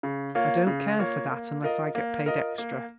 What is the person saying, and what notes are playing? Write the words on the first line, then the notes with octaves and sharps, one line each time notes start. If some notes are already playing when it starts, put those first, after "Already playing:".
I don't care for that, unless I get paid extra.
C#3
A#3 F4 C#5
C#3
A#3 F4 C#5
A#3
F4 A#4 D#5
A#3
F4 A#4 D#5
A#3